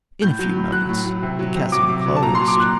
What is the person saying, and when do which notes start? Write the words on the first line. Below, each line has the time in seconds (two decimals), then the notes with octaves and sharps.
In a few moments the chasm closed.
0.22 A2 G6
0.39 F#3
0.56 A2
0.72 F#3 F#6
0.89 A2
1.06 F#3
1.22 C3
1.39 F#3
1.56 C3
1.72 F#3 D6
1.89 C3
2.06 F#3
2.16 A5
2.23 A#2 A#5
2.35 F#3 C6
2.48 D6
2.56 A#2 F#6